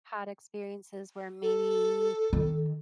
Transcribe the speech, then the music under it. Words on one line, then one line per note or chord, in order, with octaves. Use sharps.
had experiences where maybe,
A4
D#3